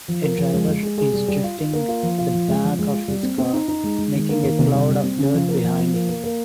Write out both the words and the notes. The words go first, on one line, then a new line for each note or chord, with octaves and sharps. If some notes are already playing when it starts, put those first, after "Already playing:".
A driver is drifting the back of his car, making a cloud of dirt behind him.
F3
A#4
F3
G#3
G#3
G#4
G#4
G3
G3
F4
F4
A#3
F4
F3
F4
F3
G#3
F3
G#3
F4
G3
C4
C4
D#4
D#4
G#3
G#3
D#3
A#3
D#3
C3
G3
G3
C4
C#3
F3
A#3
F3
F3
A#3
A#3
A#3